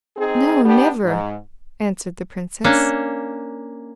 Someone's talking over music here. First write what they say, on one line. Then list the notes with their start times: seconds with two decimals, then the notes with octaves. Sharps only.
"No, never," answered the princess.
0.16 C4 D#4 G#4
0.65 B3 D4 G4
1.03 G#2
2.64 A#3 C#4 D4 A5